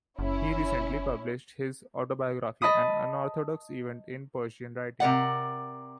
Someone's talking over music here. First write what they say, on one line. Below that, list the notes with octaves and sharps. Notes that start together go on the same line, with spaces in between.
He recently published his autobiography, an unorthodox event in Persian writing.
F#1 C#4 E4
D#5 A5 B5 D#6
C3 A#4 D5 F#5